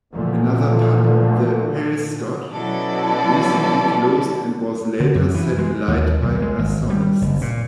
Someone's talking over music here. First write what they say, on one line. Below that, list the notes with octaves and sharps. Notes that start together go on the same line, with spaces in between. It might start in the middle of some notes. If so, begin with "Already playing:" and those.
Another pub, "The Harlescott", recently closed and was later set alight by arsonists.
A#2 D3 E3 F3 A3
B2 F#3 C#4 E4 A4 D5
D3
F#2
E3
G#3
D#2
B1
G#3
G#1
G3
F#1
A#2